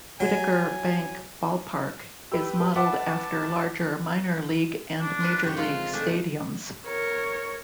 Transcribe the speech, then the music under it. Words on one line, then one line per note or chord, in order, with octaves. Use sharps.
Whitaker Bank Ballpark is modeled after larger minor-league and major-league stadiums.
F#3 G#5
G4 B4 E6
B4
E5 F#5 A5 D6
D4
F4 A#4 B4
F#2 C#3 G4 C#5
C3 F3 G#3 F4
D#3 A3 D4 G#4
A#4 C#5